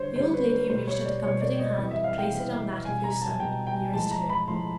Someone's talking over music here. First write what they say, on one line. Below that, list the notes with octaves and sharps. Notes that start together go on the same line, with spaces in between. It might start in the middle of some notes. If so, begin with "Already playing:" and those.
The old lady reached out a comforting hand and placed it on that of her son nearest her.
Already playing: D3 G3 C5 C#5
D3 G3 C5
B4
A#4
B2 G3 C5
C#5
D5
B2 G3 C#5
D5
D#5
C3 E3 G3 D#5
E5
F5
G5
C3 E3 G3
B2 G3 G#5
A#5
A5
B2 G3 G5
G5
A2 F3 G#3 A5
A#5
B5
A2 F3 G#3 C6